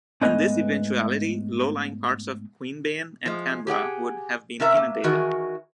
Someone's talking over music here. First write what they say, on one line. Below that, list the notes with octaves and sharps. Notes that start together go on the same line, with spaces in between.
In this eventuality low lying parts of Queanbeyan and Canberra would have been inundated.
G#2 A3 B3 B4 D#5 G#5
F3 G#3
G4 G#4 F#5 G5
C3 C#4 A#4 E5 A#5
A#3
D#3 E3 F#4 G#4 A#4